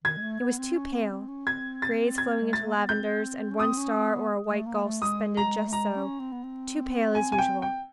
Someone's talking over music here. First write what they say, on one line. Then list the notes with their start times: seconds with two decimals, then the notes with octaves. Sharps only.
It was too pale--greys flowing into lavenders, and one star or a white gull suspended just so--too pale as usual.
0.04 D#3 G#6
0.17 G#3
0.22 A3
0.40 B3
0.58 C4
0.75 C#4
0.93 C4
1.11 C4
1.28 C#4
1.47 C4 G#6
1.82 A6
2.18 G#6
2.41 G#3
2.53 A3 A6
2.66 A#3
2.77 B3
2.88 C4 G6
3.51 C#4
3.60 C4 D#6
3.77 C#4
3.96 C4
4.12 B3
4.48 A3
4.66 A#3
4.84 A3
5.02 G#3 D#6
5.37 A#5
5.68 A3
5.72 G#3 A#5
5.96 C#4
6.20 C4
6.32 B3
6.43 C4
7.15 G#5
7.32 G#5
7.38 G5
7.62 G5